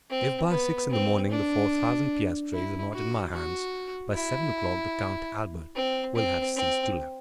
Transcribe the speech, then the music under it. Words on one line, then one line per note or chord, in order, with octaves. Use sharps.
"If by six in the morning the four thousand piastres are not in my hands, by seven o'clock the Count Albert will have ceased to live."
C4
B3
C4
D4
E4
F#4
F#4
E4
C4
C4
C4